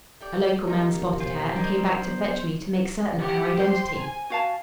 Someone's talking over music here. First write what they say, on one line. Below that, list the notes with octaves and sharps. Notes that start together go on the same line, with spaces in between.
A local man spotted her and came back to fetch me to make certain of her identity.
A3 G4 D5
D#2 C3 D#3 D#4
B2 F4 C5 G#5
F#3 A#3 D4 D#4
B3
G4 F#5
C5 G5 C6
G#5
F#4 F5 A5